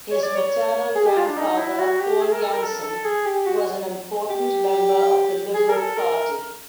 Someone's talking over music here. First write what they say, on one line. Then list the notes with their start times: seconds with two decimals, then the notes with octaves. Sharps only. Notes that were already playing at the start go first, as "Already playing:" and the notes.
His maternal grandfather, Paul Janson was an important member of the Liberal Party.
0.12 C#5
0.23 D5
0.35 C#5
0.96 G#4
1.06 G4
1.17 F4
1.27 D4
1.37 D#4
1.58 E4
1.79 F#4
2.00 G4
2.20 G#4
2.32 A#4
2.42 A4
2.53 A#4
2.63 A4
2.83 A4
3.04 G#4
3.25 G4
3.46 F#4
4.30 G4
5.55 G#4
5.69 A#4
5.76 A4
5.97 A#4